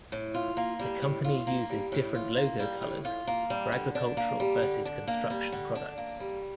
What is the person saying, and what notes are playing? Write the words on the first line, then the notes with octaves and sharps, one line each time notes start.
The company uses different logo colors for agricultural versus construction products.
A2
F4
A#3
G3
A2
F4
A#3
G3
A2
F4
A#3
G3
A2
F4
A#3
G3
D3
D4
A#3
G3
D3
D4
A#3
G3
D3
D4
A#3
G3